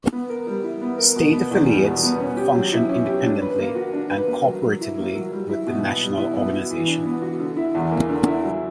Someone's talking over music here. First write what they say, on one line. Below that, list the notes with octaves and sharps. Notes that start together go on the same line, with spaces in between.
State affiliates function independently and cooperatively with the national organization.
B3
A#4
G3
E4
B3
A#4
B2
B3
E2
G3
B2
B3
C#4
G4
F#3
E4
C#4
G4
D4
B4
A#3
F#4
D4
B4
A#3
F#3
F#3
E4
A#3
F#3
G3
E4
B2
B3
G3
E4
B3
F#4
E3
D4
B3
F#4
D3
E4
E2
A#3
D3
E4
F#3